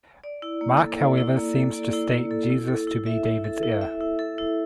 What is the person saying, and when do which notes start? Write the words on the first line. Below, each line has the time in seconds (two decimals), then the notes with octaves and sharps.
Mark however seems to state Jesus to be David's heir.
0.24 D5
0.42 E4
0.61 A#3
0.80 A4
0.99 D5
1.18 E4
1.37 A#3
1.55 A4
1.74 D5
1.93 E4
2.12 A#3
2.31 A4
2.50 E4
2.68 A4
2.87 E4
3.06 E5
3.25 E4
3.44 A4
3.63 E4
3.82 E5
4.01 E4
4.19 A4
4.38 E4